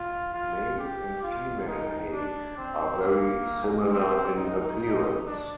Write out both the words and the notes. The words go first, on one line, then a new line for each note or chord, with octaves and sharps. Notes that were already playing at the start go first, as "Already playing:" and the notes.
Male and female hake are very similar in appearance.
Already playing: F4
F4
G4
F4
D#4
D4
C4
A#3
C4
D#4
D#4
D4